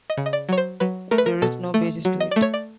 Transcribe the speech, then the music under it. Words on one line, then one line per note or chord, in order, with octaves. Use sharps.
There is no basis to it.
D#5
C#3
D#5
D5
F#3 C#5
C5
F#3 B4
A3 A#4
B4
A#4
B2 A4
A3
F#3
D#5
A3 D5
C#5
D5